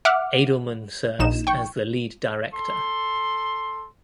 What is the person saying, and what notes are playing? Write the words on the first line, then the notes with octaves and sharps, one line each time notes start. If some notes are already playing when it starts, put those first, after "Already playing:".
Adelman serves as the Lead Director.
E5 F#5 D6 F6
A#1 D#4 E7
G5 C#6
A4 C6